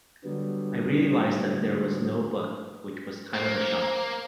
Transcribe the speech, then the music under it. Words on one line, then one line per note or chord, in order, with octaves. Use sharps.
I realized that there was no book, which was kind of a shock.
D3 F#3 G3 B3
A#3 C5